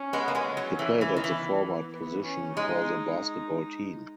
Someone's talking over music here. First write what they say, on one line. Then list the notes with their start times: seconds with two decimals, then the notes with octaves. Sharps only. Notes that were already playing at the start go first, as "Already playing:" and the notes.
He played at the forward position for the basketball team.
Already playing: C#4
0.13 G#3 B3
0.28 A#3
0.35 G#3 B3
0.57 F#3
0.79 E3
1.01 E3
1.16 D#3
1.23 E3 B3
1.90 B3
2.23 C#4
2.56 G#3 D#4